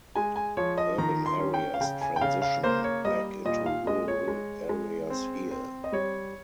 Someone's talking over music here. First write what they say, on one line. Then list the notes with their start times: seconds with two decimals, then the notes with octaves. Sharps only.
Urban areas transition back into rural areas here.
0.16 G#3 G#5
0.36 G#5
0.57 F3 C#5
0.78 D#5
0.98 D#3 A#5
1.26 C6
1.40 C#4
1.54 G5
1.74 F5
1.81 C#3 G5
2.01 G#5
2.16 G5
2.21 C#3 F5
2.42 F5
2.63 A#3 C5
2.84 C#5
3.05 G3 D#5
3.45 A#2 D#5
3.66 F5
3.87 G#3 D#5
4.08 C#5
4.28 G#3
4.69 G#3
5.10 C4
5.51 C4
5.84 D#5
5.92 G3 C#5